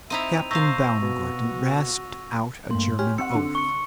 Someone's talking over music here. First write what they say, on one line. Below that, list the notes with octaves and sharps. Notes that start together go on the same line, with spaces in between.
Captain Baumgarten rasped out a German oath.
C4 D#4 E4 E5 D#7 F7
C3 C5 F5 C#6 E6 A#6
B2 F#4
G2 A3 A#3 C6
G4 C#5 G#5 F6
C4 F#5 C#6 E6 C#7
D3
C#6 C#7